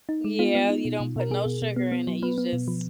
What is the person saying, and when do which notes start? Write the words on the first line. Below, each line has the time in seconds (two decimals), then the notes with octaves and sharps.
Yeah, you don't put no sugar in it, you just
0.09 D#4
0.24 G#3
0.39 B3 F4
0.55 B3
0.69 D#4
0.85 B2
1.00 B2
1.16 B2 A#4
1.30 B2 G#4
1.46 B2
1.62 B2
1.76 B3
1.92 B3
2.07 F#3
2.22 B3 B4
2.38 B3
2.53 B2
2.68 F3